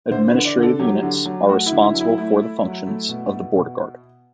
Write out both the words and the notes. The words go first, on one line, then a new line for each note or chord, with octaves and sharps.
Administrative units are responsible for the functions of the Border Guard.
D3 C5
B4
D3
D5
D3
A4
F#3 G4
D3
F#3
A3 F#4
E4
D3
E4
F#3
E4
A3 E4
A3
F#3
A3
B2
B2
B2